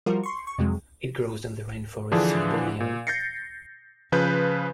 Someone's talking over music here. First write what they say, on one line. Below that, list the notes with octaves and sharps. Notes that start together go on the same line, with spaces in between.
It grows in the rainforests of Borneo.
F3 G3 F4 F#4 A#4
C6 C#6
C#6
F2 C3 F#3 G#3
D3 E3 F3 D4 G#4
A#2
G6 A6 A#6 C7 C#7
C#3 F3 B4 G6